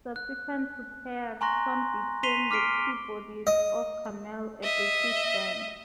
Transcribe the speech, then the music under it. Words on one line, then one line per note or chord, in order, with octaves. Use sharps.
Subsequent to Kayak, Ton became the keyboardist of Camel, a British band.
F#6
G#5 A#5 C6 C#6 F#6 A#6
C6 B6 C7 D#7 F7 G7
D6 F6 B6 C7 D7
D#5
D#5 E5